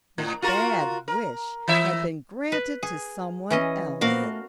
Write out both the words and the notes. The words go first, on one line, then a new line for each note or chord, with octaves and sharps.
The bad wish had been granted to someone else.
A2
F4 F#4 A#4
A#4
E3 E5
B4
G#4
E3 C#4 D#5
A#2 F3 B3 F#4 A#4 F5
A3